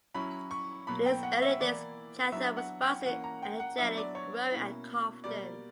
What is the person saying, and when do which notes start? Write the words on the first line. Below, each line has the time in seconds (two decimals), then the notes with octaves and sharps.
In its early days, Chatham was bustling, energetic, growing and confident.
0.14 F#3 C#4 E4 B5
0.51 C#6
0.87 B2 F#3 A#3 B5
1.06 G5
1.23 F#5
1.42 E5
1.60 E3 A#3 E4 D5
2.32 F#3 B3 D4 E5
2.57 F#5
2.81 G5
3.05 E3 A#3 C#4 F#5
3.24 A#5
3.42 G5
3.60 F#5
3.78 F#3 B3 D4 E5
3.97 D5
4.15 C#5
4.52 B2 A#3 C#4 E4
5.24 B2 G3 A#3 D5